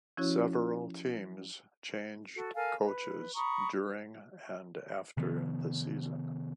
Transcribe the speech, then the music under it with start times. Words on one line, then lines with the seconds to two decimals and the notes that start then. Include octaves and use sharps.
Several teams changed coaches during and after the season.
0.17 F3 C#4 E4 F#4 C#5
2.35 F#4 A4
2.55 A4 A#4 F5 G#5
2.84 B4
3.35 A#5 B5 C#6 D#6
5.17 C3 D#3 F3 B3